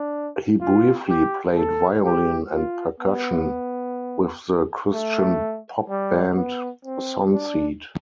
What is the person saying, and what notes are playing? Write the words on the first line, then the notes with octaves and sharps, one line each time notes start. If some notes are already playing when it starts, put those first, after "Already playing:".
He briefly played violin and percussion with the Christian pop band Sonseed.
Already playing: D4
F4
G4
A4
G4
F4
B3
A3
G3
B3
C4
D4